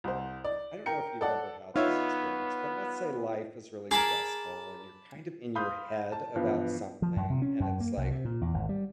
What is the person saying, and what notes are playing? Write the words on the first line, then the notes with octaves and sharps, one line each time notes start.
I don't know if you've ever had this experience, but let's say life is really stressful, and you're, kind of, in your head about something, and it's, like,
C2 C5
D5
A#4 G5 C#7
A4 D5 F#5
B3 D#4 F4 C#5 E5
G#4 A#4 A5 B5 D6
F5 B5 C6 D#6 G6
A5
G2 B2 E3 F3 B3
F3
F#2
C3
C#4
F#2
A#3
C2
C3
A#2
E2
G#1
G3